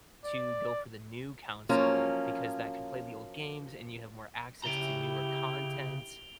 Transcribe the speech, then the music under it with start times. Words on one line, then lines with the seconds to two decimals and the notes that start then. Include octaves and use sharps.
to go for the new console because that can play the old games and you have more access to newer content?
0.24 D5
1.69 F3 F#3 A#3 C#4
4.64 C#3 E4 G4 A#5 D7 F7 G7